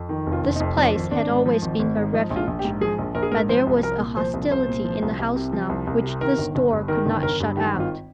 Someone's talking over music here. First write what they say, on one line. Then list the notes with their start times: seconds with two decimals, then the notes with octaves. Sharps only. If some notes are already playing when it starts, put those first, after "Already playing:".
This place had always been her refuge, but there was a hostility in the house now which this door could not shut out.
Already playing: F2
0.09 D#3
0.26 F1
0.32 F4
0.43 F1
0.55 D#4
0.60 F2
0.77 F3 D4
0.95 G#1
1.11 G#1 D4
1.29 G#2
1.46 F3
1.62 G#1
1.79 G#1
1.97 G#2
2.14 F3 D#4
2.30 A#1
2.36 F4
2.47 A#1
2.59 G4
2.64 G#2
2.81 F3 G#4
2.98 A#1
3.15 A#1 A#4
3.23 G#4
3.32 G#2 A#4
3.49 F3 C5
3.67 C2
3.83 C2 A#4
4.00 A#2
4.17 F3 C5
4.33 C2
4.51 C2 C5
4.68 A#2
4.85 F3
5.02 C2
5.19 C2
5.36 C3
5.53 F3
5.69 C2
5.87 C2
6.03 C3
6.21 D#3 A#4
6.38 G1
6.55 G1
6.72 G2
6.88 D#3 A#4
7.06 G1
7.23 G1 A#4
7.40 G2
7.57 D#3 G4
7.74 G#1
7.80 F4